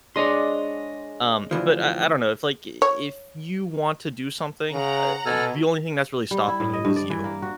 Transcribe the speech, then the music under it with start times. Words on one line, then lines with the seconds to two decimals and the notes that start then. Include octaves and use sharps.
Um, but I I don't know, it's, like, i i if you want to do something, uh uh, the only thing that's really stopping you is you.
0.16 G#3 D4 C#5 D#5 C6
1.51 D2 E3 F3
2.82 C#5
4.71 C#3 F#5 A#5
5.26 B2 A4 G#5 F6
6.31 G3
6.48 E4
6.60 A2
6.73 D#5
6.85 G2
6.96 D5
7.10 E3
7.24 A#3
7.42 F#4